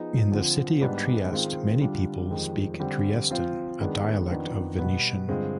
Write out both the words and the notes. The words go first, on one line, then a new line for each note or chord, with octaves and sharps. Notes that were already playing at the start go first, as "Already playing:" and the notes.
In the city of Trieste, many people speak Triestine, a dialect of Venetian.
Already playing: F3 B3 D#4 G#4
D3 F3 C4
G#2 G3 B3 D4
D#3 G#3 C4 F4
D3 G3 D4 F4
F2 D#3 G#3 C4 G4
D3 G3 C4
F3 C4 F4 C5
D#3 G#3 B3 D4
F2 D#3 B3 D4
B2 G3 B3
G2 D3 G#3 C4 F4